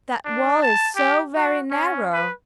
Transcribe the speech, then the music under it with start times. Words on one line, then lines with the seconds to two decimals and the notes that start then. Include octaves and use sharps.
'That wall is so VERY narrow!'
0.25 D4
0.62 A5
0.96 G4
1.35 F#4
1.70 C#4
2.13 B4